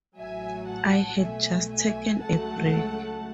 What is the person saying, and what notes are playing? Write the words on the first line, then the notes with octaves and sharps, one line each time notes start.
I had just taken a break.
A1 A2 F#3 E5 G#5
F#5 A5
B1 B2 A3 E5 G#5
E5 G#5
C#2 C#3 F#3 A3 F#5 A5